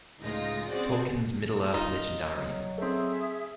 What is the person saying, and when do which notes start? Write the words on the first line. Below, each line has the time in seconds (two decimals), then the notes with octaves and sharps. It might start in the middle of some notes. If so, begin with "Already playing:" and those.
Tolkien's Middle-earth legendarium.
0.21 C#2 A2 G#3 D#4 F4 A#6
0.68 C4 C#4 F#4 G#4 C5 D5
1.74 D#4 F4
2.33 F#3
2.78 A3 C4 G#4 E5